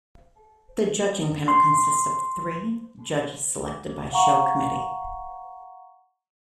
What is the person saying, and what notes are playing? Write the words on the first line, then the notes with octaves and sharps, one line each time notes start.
The judging panel consists of three judges selected by the Show Committee.
C6
F5 F#5 A#5 C#6